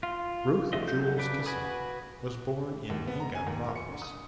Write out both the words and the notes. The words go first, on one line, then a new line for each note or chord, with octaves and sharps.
Ruth Jewels Kissam was born in Enga Province.
F4
D3 E3 F3 A3 D#5
F#3 A4 G6
C#3 D4 B4 D6
F#4 B4 G#5 B5 D#6
D#2
B3
A#5
G#5
D#2
A#4
C#7
D3
D#6